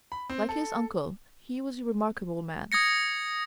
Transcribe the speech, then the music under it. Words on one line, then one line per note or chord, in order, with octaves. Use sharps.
Like his uncle, he was a remarkable man.
B5
C4
A4
D#6 G#6 A#6 C#7